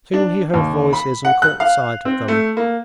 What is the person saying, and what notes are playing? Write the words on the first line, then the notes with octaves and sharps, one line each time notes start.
Soon he heard voices and caught sight of them.
D4
D#2
B5
F#5
F#6
F5
C4
A3
A#3